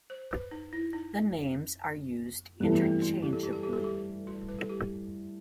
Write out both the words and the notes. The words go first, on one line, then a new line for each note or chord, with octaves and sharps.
The names are used interchangeably.
C5
B4
D#4
E4
D#4
G2 E3 A3 B3
C4
F#4
G4
A4
G4
A4
G4
A4
G4
F#4
B4
A4
G4